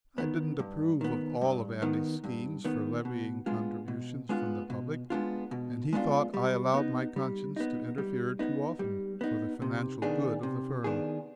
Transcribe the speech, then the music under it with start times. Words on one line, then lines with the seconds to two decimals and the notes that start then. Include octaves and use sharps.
I didn't approve of all of Andy's schemes for levying contributions from the public, and he thought I allowed my conscience to interfere too often for the financial good of the firm.
0.18 D#3 B3
0.59 G2
1.01 D#3 B3
1.41 G2
1.82 D#3 B3
2.24 G2
2.65 D#3 B3
3.05 B2
3.46 G#3 B3 D4 F4
3.88 B2
4.29 G#3 B3 D4 F4
4.70 B2
5.10 G#3 B3 D4 F4
5.51 B2
5.93 G#3 B3 D4 F4
6.34 G3
6.74 B3 D#4
7.16 G3
7.56 B3 D#4
7.98 G3
8.39 B3 D#4
8.79 G3
9.21 B3 D#4
9.62 C3
10.02 D#3 B3 D4 G#4
10.43 C3
10.84 D#3 B3 D4 G#4